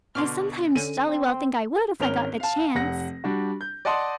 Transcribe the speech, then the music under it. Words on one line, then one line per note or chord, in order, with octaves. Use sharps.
"I sometimes jolly well think I would if I got the chance."
B2 D3 C6 D6 F6
D3 C#4 D#7
C4
G#1 C#4 A#4 F7 G7
F5 A5
F1 F#5 A#6
G3 D4 F#4
G6
D5 D#5 F#5 A5 C6 D#6